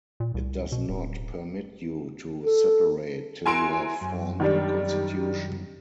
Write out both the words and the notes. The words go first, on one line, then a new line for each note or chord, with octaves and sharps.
It does not permit you to separate till you have formed a constitution.
A#2
C2
B2
D1
A4
E4 F#4 A#4 G#5 C6 D7
F#2
D#3 G3 D4